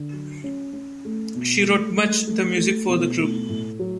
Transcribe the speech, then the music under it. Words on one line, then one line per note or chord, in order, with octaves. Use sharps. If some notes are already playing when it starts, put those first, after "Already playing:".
She wrote much the music for the group.
Already playing: D3
F#3
C#4
C#4
A3
B2
A3
A3
A3
A3
B2
A3
A2
F#3